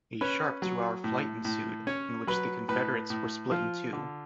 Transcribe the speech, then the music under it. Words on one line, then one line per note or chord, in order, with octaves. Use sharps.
A sharp two-hour fight ensued in which the Confederates were split in two.
C#4 B4
F#3
A2
A2
C#4 C#5
F#3 B4
A2 B4
A2
F3 F4
D3